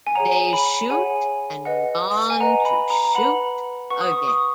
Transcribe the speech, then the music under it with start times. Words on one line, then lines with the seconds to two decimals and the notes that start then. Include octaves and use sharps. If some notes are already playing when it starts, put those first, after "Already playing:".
They shoot and move on to shoot again.
0.07 G#5
0.15 G#4 C#5 F#5 A#5
0.53 B5
0.90 G#4 C#5 F#5 G#5
1.65 B4 D#5 F#5
2.30 G#5
2.40 B4 D#5 F#5 A#5
2.65 B5
2.90 A#5
3.05 A#5
3.15 B4 F#5 B5
3.90 B4 F#5 C#6
4.01 D#6
4.12 C#6
4.28 D#6